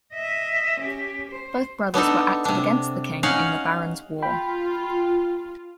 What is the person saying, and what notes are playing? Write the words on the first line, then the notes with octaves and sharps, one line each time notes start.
Both brothers were active against the King in the Baron's War.
D#5 E5
C#4 G4
C5
B3 D4 D#4 A4
C3 D4
C#4 D#4 F5 F#5
F4 G5 B5